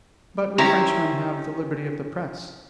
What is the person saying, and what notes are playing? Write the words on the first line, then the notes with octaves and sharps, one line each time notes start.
But we Frenchmen have the liberty of the press.
D#3 C#4 E4 G4 C5 A#5